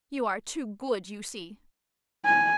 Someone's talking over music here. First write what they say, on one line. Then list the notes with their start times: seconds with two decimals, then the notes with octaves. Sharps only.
You are too good, you see!
2.25 G#5